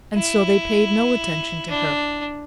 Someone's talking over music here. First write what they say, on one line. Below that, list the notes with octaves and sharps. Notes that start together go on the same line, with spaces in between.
And so they paid no attention to her.
E4
D4